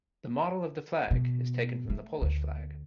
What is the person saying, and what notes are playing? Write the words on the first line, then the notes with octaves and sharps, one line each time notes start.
The model of the flag is taken from the Polish flag.
B2
A3
D2